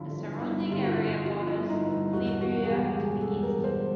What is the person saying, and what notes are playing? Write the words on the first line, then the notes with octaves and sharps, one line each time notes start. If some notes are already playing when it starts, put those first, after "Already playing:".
The surrounding area borders Liberia to the east.
Already playing: G1 G2 D3 F3 E4
D3
G1 E4
E4
D3 F4
F#4
D3
F3 F4
E4
G1
D#4
G2
E4
E1 F#4
B2 F#4
G#4
E1 G4
E1 G#4
A4
E1
A#4
E1
C5